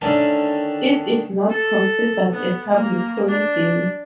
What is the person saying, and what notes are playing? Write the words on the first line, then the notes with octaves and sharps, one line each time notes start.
It is not considered a public holiday.
D3 D#3 A3 C#4 D4 D6
A4
B3
A#3
D4